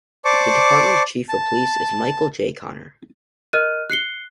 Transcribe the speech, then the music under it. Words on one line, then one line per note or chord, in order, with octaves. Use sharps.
The department's Chief of Police is Michael J. Conner.
C5 D5 A5 C#6 D6
A5
A#4 D#5 F6 F#6 D#7
F#6 C7 C#7 G7